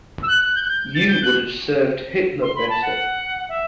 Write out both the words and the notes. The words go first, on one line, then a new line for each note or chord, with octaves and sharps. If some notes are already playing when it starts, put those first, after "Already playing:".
You would have served Hitler better.
E6
F#6
F#6
G6
F#6
G6
A6
G6
F#6
C6
B5
A5
F#5
E5